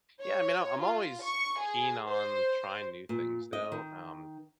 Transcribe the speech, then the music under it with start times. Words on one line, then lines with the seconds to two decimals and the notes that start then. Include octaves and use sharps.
yeah, I mean, I'm always keen on trying new things though, um,
0.20 C#5
0.82 F4
1.23 C#6
1.61 G#4
2.08 C5
3.09 A#2
3.53 D#5
3.72 D#3